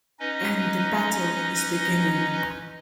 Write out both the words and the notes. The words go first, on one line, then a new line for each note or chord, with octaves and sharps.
And the battle is beginning.
C#4 D#4 B4 D#5